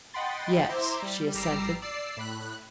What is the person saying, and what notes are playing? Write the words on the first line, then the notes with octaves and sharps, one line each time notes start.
"Yes," she assented.
D#5 F#5 G5 B5 C6 A6
E4 C5 E5 A#5 C6 D6
G3
G#1 G3 A#5 D6 E6 C7
D5 E6 C7
A2 B5 F#6